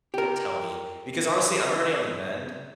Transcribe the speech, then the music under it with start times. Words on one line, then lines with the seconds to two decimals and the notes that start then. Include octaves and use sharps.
tell me. Because, honestly, I'm already on the mend.
0.14 G4 A#4